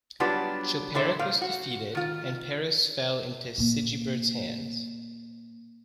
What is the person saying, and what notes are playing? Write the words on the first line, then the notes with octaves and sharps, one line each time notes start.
Chilperic was defeated, and Paris fell into Sigebert's hands.
F#3 G3 B3 D4 F4 G4
A2 D3 A4 C5 E5
A#2 F5
F#4
D#3 F4
A#2 A#3